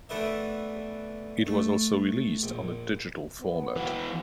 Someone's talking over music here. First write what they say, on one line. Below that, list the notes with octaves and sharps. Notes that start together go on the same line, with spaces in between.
It was also released on the digital format.
E3 A3 B3 D4 E5
A3
A#1
B3
E3 F#4